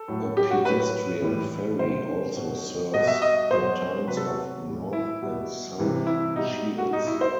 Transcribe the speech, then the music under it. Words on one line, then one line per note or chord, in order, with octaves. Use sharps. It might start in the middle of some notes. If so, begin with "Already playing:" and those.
A pedestrian ferry also serves the towns of North and South Shields.
Already playing: A4
A2 F#3
G4
F#4
A2 F#3 B4
A2 E3 G3
C3 D#3 F#3 C5
B2 F#3
B2 G3 D#5
E5
D#5
B2 F#3 C5
C3 F#3 B4
A4
F#4
A2 G3
E4
B2 G3
C3 E3 G3
E4
B2 G3 D#4
F#4
B2 G3 D#4
E4
C5